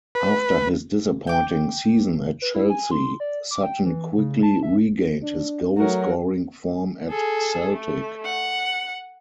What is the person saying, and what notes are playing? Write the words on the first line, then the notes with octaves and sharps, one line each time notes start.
After his disappointing season at Chelsea, Sutton quickly regained his goal-scoring form at Celtic.
B4
G5 D6
B4
E4
G#5
C6
D5
D6
G5
E3
C#3
A5
E5
D4
F#3 A3 F#4 A#4
G#4 A4
A3
F#5